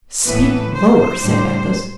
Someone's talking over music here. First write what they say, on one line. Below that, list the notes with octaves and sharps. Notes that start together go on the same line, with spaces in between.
"Speak lower!" said Athos.
A2 E3 B3 B4
C5
A2 G3 D4